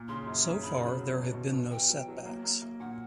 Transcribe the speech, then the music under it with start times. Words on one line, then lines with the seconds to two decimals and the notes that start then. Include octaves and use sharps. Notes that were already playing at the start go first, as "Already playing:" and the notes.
So far, there have been no setbacks.
Already playing: A#2
0.08 C#3 C6
0.27 F#2
0.44 C#3
0.63 C#3 B5
0.81 F#3
0.99 F#3
1.18 B2
1.35 B2
1.53 B2
1.71 B2 G5
1.90 F#3
2.08 F#3
2.26 A#3
2.44 A#3
2.62 A#3
2.80 A#2 F#5